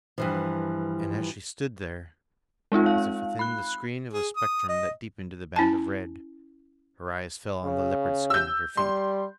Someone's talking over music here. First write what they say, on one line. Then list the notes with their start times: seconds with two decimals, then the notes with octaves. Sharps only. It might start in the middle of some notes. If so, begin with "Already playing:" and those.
And as she stood there, as if within the screen of a spectrum that deepened to the band of red, her eyes fell on the leopard-skin at her feet.
0.18 G2 E3 F3
2.72 G#3 C4 D#4 F4
2.86 F5
3.39 B5 F#6
4.13 G#4
4.36 D#6
4.69 D#5
5.56 C#4 E4 G#5 A5
7.64 C#3
8.30 E6 G6
8.77 G3 C6